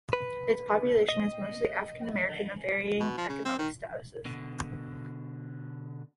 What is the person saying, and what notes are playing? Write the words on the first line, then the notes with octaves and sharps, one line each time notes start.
Its population is mostly African American, of varying economic statuses.
B4
D#5
B2
F3
C#3
C4
D#3
B2 D3